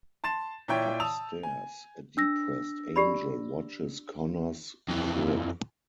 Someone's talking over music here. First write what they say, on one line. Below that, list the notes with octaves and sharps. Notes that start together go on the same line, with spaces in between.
Upstairs, a depressed Angel watches Connor's crib.
A5 C6 A6 E7
A#2 E4 C#5 G5
A5 D#6 E6 F7
G#5
D4 E6 A#6
G4 D5 B5
F2 E3